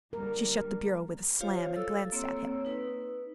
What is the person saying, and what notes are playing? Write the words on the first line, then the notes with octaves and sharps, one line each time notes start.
She shut the bureau with a slam, and glanced at him.
D3 G3 A#4
F4 G4 C5 C#5 F5
A4 E6
A#3 C4 C#5 E6
D#4 B4